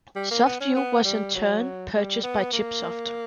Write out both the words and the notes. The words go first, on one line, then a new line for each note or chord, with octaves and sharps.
SoftView was in turn purchased by ChipSoft.
G3
A#3
B3
C#4
B3
G3
F#3
G3
B3
A#3